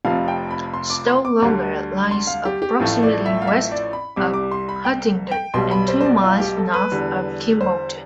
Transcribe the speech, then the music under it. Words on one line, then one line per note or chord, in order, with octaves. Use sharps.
Stow Longa lies approximately west of Huntingdon and two miles north of Kimbolton.
F1 F2 C3 F3 F5
G5
B5
C6
D6
C6
D6
D2 D3 G3
C6
F5
G4
G4
A1 A2 F3 A3 F4
D5
E5
F5
E5
D5
B5
C2 C3 G3 D6
D6
C6
B5
G5
G5
B1 B2 G3 C6
B5
C5
C5
D5
F4
G4
A4
B4
E2 D3 G3
C5